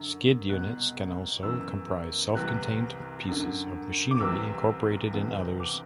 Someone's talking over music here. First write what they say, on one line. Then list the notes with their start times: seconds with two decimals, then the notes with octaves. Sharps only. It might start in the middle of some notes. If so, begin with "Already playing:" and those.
Skid units can also comprise self-contained pieces of machinery incorporated in others.
Already playing: F#2 D3
0.49 C2 B2 F#6
1.43 F#2 E3 E6
2.35 C2 C3 E3 F#6
3.29 F#2 D3
4.11 D6
4.20 C2 C3 E3 E6
5.13 D2 C3 E3
5.60 D6